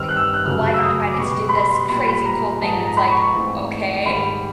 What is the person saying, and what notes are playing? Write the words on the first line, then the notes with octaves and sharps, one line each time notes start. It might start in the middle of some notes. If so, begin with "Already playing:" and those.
Like, "Oh, I got invited to do this crazy cool thing," and it's, like, "Okay,
Already playing: G2 D#3 G3 C4 E6 F6
F#6
E6
F6
F#6
F#2 C#3 F#3 A3 F6
E6
D#6
D6
D6
B2 G3 B3 C#6
B5
C6
C6
A#2 G3 B3 B5
B5
A#5
G#2 F3 G#3 B3 A5
A#5
A#5
B5
C#6
C#6
G#2 E3 A3 C4
G#2 D#3 G3 B5